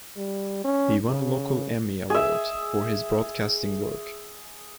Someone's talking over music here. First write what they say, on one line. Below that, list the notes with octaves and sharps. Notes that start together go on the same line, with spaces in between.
He won a local Emmy Award for his broadcasting work.
G3
C#4
C#3
G#4 E5